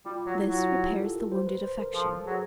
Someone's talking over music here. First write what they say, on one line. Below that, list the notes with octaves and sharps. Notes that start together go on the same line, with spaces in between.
This repairs the wounded affection.
G3 F4
F#3
E4
F#3
F4
G4
A4
A#4
C5
B4
C5
A#4
F3 A4
F#3 G#4